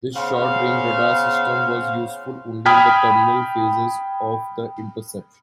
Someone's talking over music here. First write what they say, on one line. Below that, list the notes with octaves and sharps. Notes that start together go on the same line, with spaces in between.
This short-range radar system was useful only in the terminal phases of the interception.
C#3 B3 C5 F5
G5 B5 D#6 F6 G#6 B6